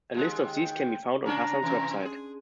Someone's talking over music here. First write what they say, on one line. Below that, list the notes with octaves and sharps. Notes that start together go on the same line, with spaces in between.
A list of these can be found on Hassan's website.
D#2 G#3
G5
C#3 C#4 D4 A#5
C3 E3
G#4